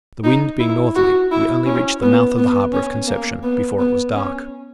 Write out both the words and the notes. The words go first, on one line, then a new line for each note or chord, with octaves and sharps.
The wind being northerly, we only reached the mouth of the harbour of Concepcion before it was dark.
D#4
E4
F#4
E4
C#4
B3
B3
C#4
A#3
B3
B3
C#4